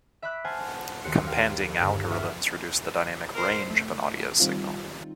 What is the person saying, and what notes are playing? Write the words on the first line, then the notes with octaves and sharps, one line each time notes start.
Companding algorithms reduce the dynamic range of an audio signal.
E5 B5 D6 E6 F#6
C5 F#5 G#5 A5 F6 G#6
D#2 F#4 G4 C6 C#7
F4 G4 A#4 F5
G1 G2 A#4
E5 F#5 C#6 F6
A#4 C5
A3
D#3 G3 C4 D#4 F4